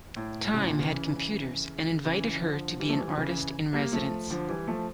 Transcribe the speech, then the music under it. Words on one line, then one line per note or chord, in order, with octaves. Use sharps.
Time had computers, and invited her to be an Artist in Residence.
A2
A2 C#3
A#2 D3
C#3 E3
C#3 E3
C#3 E3
D3 F3
E3 G3
F3 A3
E3 G3
D3 F3
C#3 E3
G3 A#3
F3 A3
D3 F3
E3 G3
F3 A3